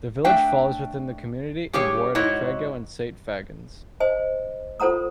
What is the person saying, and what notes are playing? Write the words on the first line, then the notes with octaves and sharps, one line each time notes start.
The village falls within the community and ward of Creigiau and Saint Fagans.
A3 D4 E5 G5
G2 G4 G#4 C#5
G#2 E4 F#4 C#5 D#5
C5 D#5 G#5
F4 A4 C5 F#5 A#5 D#6